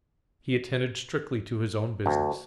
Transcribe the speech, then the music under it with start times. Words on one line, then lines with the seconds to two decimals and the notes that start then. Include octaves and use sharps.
He attended strictly to his own business.
2.06 D2